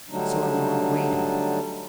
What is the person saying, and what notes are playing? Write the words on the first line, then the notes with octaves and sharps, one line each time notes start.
So Honora waited.
D3 F#3 G3 A3 D4 D#4